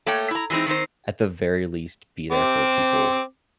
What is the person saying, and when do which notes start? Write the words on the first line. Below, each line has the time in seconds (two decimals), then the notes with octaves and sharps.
at the very least, be there for the people
0.06 A3 A#3 C#5 G5
0.31 E4 A#5
0.50 E3 F#3 G#3 C4 D#4
0.66 D#3 C4 D#4 C5
2.32 C4 D6